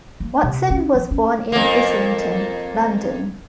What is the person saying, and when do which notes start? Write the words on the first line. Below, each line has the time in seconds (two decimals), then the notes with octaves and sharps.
Watson was born in Islington, London.
0.20 A#3
0.43 C3
0.70 C#4
0.95 F3
1.11 C#4
1.52 F2 A#3